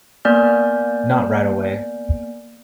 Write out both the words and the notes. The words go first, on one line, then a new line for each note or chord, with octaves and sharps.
Not right away.
A#3 B3 D5 G#5 F6 G6